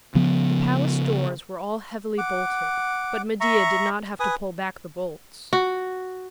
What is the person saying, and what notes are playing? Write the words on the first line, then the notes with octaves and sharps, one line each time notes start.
The palace doors were all heavily bolted, but Medea did not have to pull back the bolts.
C#3 F3 B3
F#5 D6
E5 A#5 C#6
B4 G#5 D#6
F#4